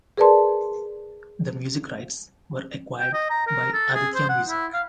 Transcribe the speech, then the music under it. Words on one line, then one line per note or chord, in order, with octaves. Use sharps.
The music rights were acquired by Aditya Music.
G#4 A#4 B4 D5 A5 C6
G5
D#5
A#5
A#4
A4
G#4
C5
F#5
E4
F5